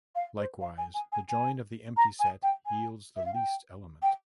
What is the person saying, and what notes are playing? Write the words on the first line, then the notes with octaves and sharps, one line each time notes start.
Likewise, the join of the empty set yields the least element.
F5
C5
F5
G#5
G#5
G#5
G#5
A#5
G#5
G5
G#5
E5
F5
G5
G5